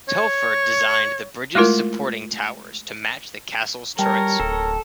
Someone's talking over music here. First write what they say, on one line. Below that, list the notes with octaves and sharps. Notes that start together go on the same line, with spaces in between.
Telford designed the bridge's supporting towers to match the castle's turrets.
C#5
G#3 A3 E4 F4 A#4
G3 A#4 C#5 G5 A5
D1 A4